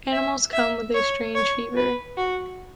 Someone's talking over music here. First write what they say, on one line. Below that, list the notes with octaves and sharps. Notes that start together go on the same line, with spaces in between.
Animals come with a strange fever.
E5
E5
C#5
C#5
B4
F#4